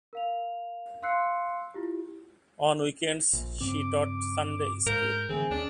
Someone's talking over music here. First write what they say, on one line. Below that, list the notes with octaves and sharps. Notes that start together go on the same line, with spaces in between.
On weekends she taught Sunday school.
A#4 F5 F7
F5 C6 E6 F#6 C7 C#7
E4 F4 G4
A#1
G2 C#3 C4 D6
G#2 A#4 G6
D3 E3 A3 C4 G#4
D#2 C#4 D4